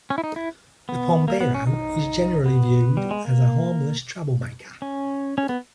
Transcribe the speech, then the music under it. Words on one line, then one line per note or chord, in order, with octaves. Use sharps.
The Pombero is generally viewed as a harmless troublemaker.
C#4
E4
D#4
E4
B3
A#3
B3
C#4
D#4
B3
G3
G#3
A#3
C#4
C#4
B3